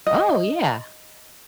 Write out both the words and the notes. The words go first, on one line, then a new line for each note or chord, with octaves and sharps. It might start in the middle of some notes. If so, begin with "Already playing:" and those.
Oh, yeah.
D#5